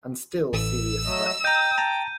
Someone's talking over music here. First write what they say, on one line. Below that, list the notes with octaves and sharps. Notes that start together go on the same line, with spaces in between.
And still Celia slept.
A1 E6
F#3 A3 D#5
D#5 G5 A#5 G6 D#7
A5 A#5